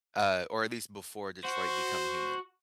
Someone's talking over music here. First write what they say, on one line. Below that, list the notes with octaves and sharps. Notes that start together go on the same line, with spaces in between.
uh, or at least before Detroit: Become Human,
F#4 C5